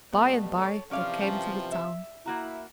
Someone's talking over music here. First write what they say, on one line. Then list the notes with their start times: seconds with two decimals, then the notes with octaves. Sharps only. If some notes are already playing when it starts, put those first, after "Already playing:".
By and by they came to the town.
0.13 B2 G3 A3 B3
0.58 A4 C#5
0.91 C3 E3 F3 C#4 D5 F5
1.22 G3 C#4 G5
1.72 E5
2.26 A#3 E4 F#4 A#5